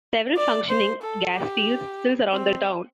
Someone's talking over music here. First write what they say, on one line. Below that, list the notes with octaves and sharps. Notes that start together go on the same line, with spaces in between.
Several functioning gas fields still surround the town.
D5
C5
A4
G4
C4